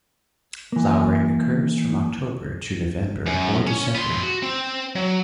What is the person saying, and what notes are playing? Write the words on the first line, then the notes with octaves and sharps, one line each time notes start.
Flowering occurs from October to November or December.
E3 A#3
F#2
C#4
B3 C6
F#4
C4
F#3